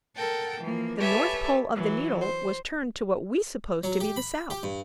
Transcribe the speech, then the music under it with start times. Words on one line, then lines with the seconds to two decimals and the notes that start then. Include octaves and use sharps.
The north pole of the needle was turned to what we supposed to be the south.
0.15 A4 A#4 F#5 G5 A5
0.61 E3 F3 A#3
0.99 G4 A4 B4 C#5 E5 G#5
1.75 E3 F#3
2.21 C5
3.83 F#3
4.00 G4
4.16 B5
4.50 G4
4.63 G2